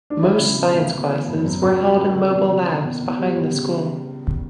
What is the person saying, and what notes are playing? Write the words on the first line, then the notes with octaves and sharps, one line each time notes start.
Most science classes were held in mobile labs behind the school.
D4
F#3 E4
C#3
E1
D2
B3
E3
F#1
F#2
C#2 F#4
G3
C#2
C#3
E1
C#3
E1
E2
E2
G3
E2
C#3